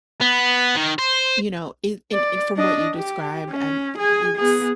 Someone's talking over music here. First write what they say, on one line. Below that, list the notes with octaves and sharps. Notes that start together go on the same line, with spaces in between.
You know, it and and from what you described, I'm i it's
B3
D#3
C5
D5
D4 D#5
G4
C#4
G#4 G#5
B3 G#4